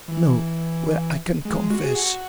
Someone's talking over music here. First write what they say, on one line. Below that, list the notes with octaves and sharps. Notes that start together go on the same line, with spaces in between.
"No, where I can confess."
E3
G#3
F#4
G#4
F#4